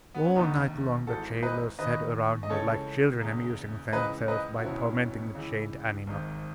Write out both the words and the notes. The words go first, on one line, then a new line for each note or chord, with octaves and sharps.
All night long the jailors sat around me, like children amusing themselves by tormenting a chained animal.
B3
C#4
E1 D#2 D#3 B3 D#4
G#1 G#2 E3 F#4 A4
B4 D#5
D#2 D#3 B4 D#5
D#5
C#2 C#3 E3 A4 C#5
E1 E2 C#3
C#2 C#3 E3 B4 D#5
B4 D#5
F#4
E1 E2 B2 C#4 E4
C#2 C#3 E3
G#1 G#2 D#3